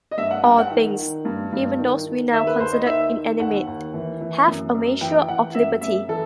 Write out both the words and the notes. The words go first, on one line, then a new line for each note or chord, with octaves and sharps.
All things, even those we now consider inanimate, have a measure of liberty.
D#5
G2 E5
F#5
G2 G5
F#5
D#3
D#3
G2
G2
D#3
D#3
D#2 E5
B4
D#2 C5
D#5
D#3 E5
D#3
D#2 F#5
D#2
E3
E3
F#2
F#2
E3 G5
E3 F#5
F#2 E5
F#2 E5
E3 A4